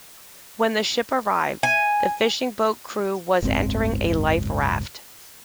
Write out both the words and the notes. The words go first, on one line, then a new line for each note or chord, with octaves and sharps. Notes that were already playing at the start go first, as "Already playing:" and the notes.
When the ship arrived, the fishing boat crew was entering a life raft.
G#5
F#1 C#2 G#2 C4